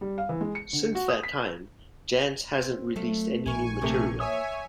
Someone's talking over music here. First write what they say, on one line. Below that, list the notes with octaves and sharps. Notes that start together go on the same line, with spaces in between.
Since that time, Janz hasn't released any new material.
G3
F5
E3
G#3
C#7
D3
F#4
D#6
B6
C4
F#3 A3 F4 A4
A#1 E4 A#4 G#5 C#6
C3 F3 A3 A#3
C#5 E5 G#5 D#6